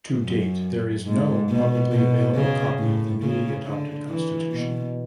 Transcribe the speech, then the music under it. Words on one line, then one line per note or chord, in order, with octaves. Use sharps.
To date, there is no publicly available copy of the newly adopted constitution.
F#2
G#2
B2
B2
C#3
A2
C#3
D3
E3
B2